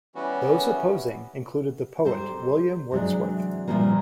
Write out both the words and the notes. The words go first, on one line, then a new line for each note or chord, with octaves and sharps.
Those opposing included the poet William Wordsworth.
E3 G3 B3 C#4 F#4
G4 A4 A#4 C5
C3 E3 F#3 G#3 D4
A#2 C#3 E3 F3 G3 A#3